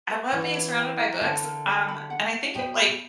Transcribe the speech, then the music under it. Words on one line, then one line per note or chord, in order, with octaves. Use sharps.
I love being surrounded by books. Um, and I think it like
B4
E3 F#5
C#5
G4
A#5
D3 E5
A#4
G4
B5
F#5
B4
B2 G4
B5